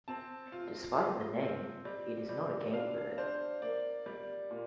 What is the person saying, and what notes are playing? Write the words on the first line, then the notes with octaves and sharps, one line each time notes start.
Despite the name, it is not a game bird.
C4 A5
F4
F4
C4
G3
G3
D4 F5
D4 C5
A#3 D5
G3
A#2